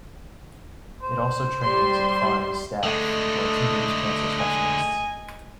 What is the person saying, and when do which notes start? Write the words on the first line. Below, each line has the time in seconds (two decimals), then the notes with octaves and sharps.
It also trains and funds staff who are teenage cancer specialists.
1.02 C5
1.62 G3 C6
2.83 D3 G#3 A3 A4 D#5
4.39 G#5